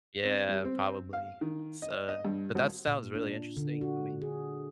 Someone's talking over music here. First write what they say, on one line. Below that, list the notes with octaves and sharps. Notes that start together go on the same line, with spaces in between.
Yeah, probably s uh, but that sounds really interesting, I mean.
C4
G3
C4
F5
D#3
D#5
D#5
G2
G#1
A#2
D4
D3
F#4
G#4